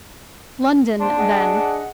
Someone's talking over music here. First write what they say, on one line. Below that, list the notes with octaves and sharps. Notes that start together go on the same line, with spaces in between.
"London, then."
A#3 D4 C5 C6
G#4 D#5 F#5